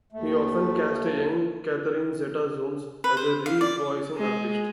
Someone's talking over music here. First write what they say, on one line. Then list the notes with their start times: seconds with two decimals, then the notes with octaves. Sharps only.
He often cast a young Catherine Zeta Jones as a re-voicing artist.
0.12 D#2 A3
3.04 B4
3.17 C5
3.46 F5
3.61 D5
4.17 G#3